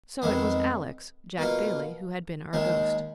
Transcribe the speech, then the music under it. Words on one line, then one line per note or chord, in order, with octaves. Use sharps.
So it was Alex, Jack Bailey, who had been our ghost.
F2 D#3 G#3 B3
B2 A#3 F4
D#2 D#3 G#3